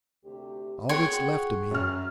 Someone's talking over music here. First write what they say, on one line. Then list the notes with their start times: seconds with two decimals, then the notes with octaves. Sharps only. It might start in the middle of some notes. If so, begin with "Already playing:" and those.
'All that's left of me.
0.25 D2 C3 G4
0.89 F4 F#4 G#4 C#5 F#5 G5 C6
1.71 F#2 F6